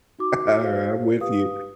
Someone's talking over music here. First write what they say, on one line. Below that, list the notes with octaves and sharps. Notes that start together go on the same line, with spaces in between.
Alright. I'm with you.
D#4 F#4 D6
F#4 G#4 C5 F5
G4 B4 F5 D#6